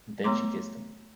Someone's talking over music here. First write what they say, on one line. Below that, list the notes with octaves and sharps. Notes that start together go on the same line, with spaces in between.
And then she kissed him.
A3 B3 C#5 A#5 C6 D6